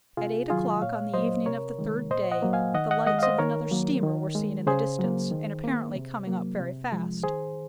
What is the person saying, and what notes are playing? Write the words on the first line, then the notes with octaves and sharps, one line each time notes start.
At eight o'clock on the evening of the third day, the lights of another steamer were seen in the distance, and apparently coming up very fast.
C3 F4 G#4
D#3 F#3 F4 G#4
A#2 C#5 F5
F#3 A#3 C5 D#5
C3 A#4 C#5
D#3 G#3
A#2 C5 D#5
D#5 F#5
F#3 A#3
F5 G#5
D#3 D#5 F#5
D#5 F#5
G#3 D#5 F#5
F5
C5 D#5
D#3 A#4 C#5
F#3 A#3
D#3
G#3
C#3 G#4 C5
F#3
A#3
D#3
A#3
C3
F#3 A#3
C3
F3 G#3
D#3 G#4 C5